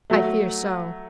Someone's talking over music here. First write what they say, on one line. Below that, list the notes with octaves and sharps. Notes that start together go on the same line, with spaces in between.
"I fear so."
F#3 A3